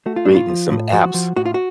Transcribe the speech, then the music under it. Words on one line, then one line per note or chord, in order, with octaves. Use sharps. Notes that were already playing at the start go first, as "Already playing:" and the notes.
creating some apps
A3 F#4
F4
A2 D4
F4
F3
A2
F3 F#4
F3
A2 F#4
F4
F#4